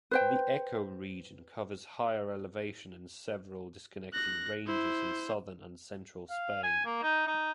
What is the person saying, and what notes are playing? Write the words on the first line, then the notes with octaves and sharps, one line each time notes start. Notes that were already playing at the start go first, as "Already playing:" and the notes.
The ecoregion covers higher elevations in several disconnected ranges in southern and central Spain.
B4 C5 G5
F#6 A#6
E4 C5
F5
G#5
A#3
D#4
D#4